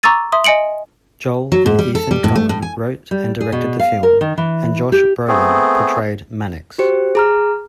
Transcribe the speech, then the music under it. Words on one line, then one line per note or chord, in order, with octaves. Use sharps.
Joel and Ethan Coen wrote and directed the film, and Josh Brolin portrayed Mannix.
A#5 C#6 D6 E6 A6 D#7
E5 C6 D#6
D#5 G#5 C#7 D7 F#7
F#3
G#2
G3
A4
G3
A2
A3
A2
G#5
G3
G#4
B2
F5
A#4
D#3
E3
G4
A3 B3 C4 G#4
F#4 G4 C5
G#4 A#5 F6